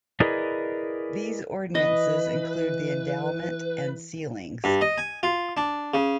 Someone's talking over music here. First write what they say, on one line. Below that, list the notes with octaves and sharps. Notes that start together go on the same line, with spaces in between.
These ordinances include the endowment and sealings.
E4 G#4 A#4 B4 D5 D#5
E3 B4 D#5
G2
D#5
G#5
F4
D4
C#3